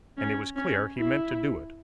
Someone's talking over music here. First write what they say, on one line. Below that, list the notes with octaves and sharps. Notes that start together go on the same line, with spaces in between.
And it was clear he meant to do it.
C#4
C#4
E4